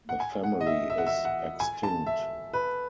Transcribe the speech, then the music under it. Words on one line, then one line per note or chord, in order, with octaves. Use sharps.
The family is extinct.
F#5
G#5
F#5
D#5
E5
E5
F#5
E5
F#5
G#5
A5
E5
B4